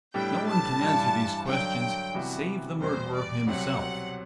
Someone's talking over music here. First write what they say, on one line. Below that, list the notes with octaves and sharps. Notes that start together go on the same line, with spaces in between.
No one can answer these questions, save the murderer himself.
A2 G3 B3 D4 G4 G5
A5
G2 E3 G3
G2 D3 F#3 G5
C3 E3 G3 B3 F#4
E2 B2 G3 C5
D5
C2 B2 F#3 C4 G4 F#5